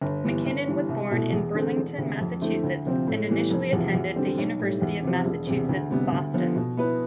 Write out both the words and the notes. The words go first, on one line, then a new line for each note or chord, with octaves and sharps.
MacKinnon was born in Burlington, Massachusetts and initially attended the University of Massachusetts Boston.
G1
G2 E3 B3
G1
G2 E3
C2
B2 A3 E4
E2
D3 A3 C4
E1
D2 C3
F2
D3 A3 C4 E4
D2
C3 F3 C4
A2
E3 G3 B3
F1
E2 C3 F3
E2
D3 G3 C4
B1
A2 G3
E2
C3 F3
E1
E2 C3
D2
C3 G3 B3
D2
D3 F3 B3
B2
B3 E4 B4